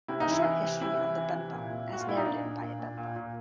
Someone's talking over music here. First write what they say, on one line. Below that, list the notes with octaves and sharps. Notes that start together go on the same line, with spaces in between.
"A Short history of the Bemba: As narrated by a Bemba".
C3 E4
D#4
E3 E4
E3
C3
C3 E4
E3
E3
C3
A#2
A#2
A#2 F#4
F4
A#2 E4
D#4
A#2 D4
A#2
A#2
A#2
A#2
A#2